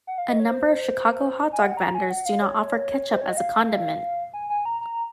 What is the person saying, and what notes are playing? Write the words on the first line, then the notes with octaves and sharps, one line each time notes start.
A number of Chicago hot dog vendors do not offer ketchup as a condiment.
F#5
F5
D#5
C#5
C5
G#5
F#5
A#5
G#5
F#5
F5
C#5
C5
C#5
D#5
F5
G#5
G#5
A#5
A#5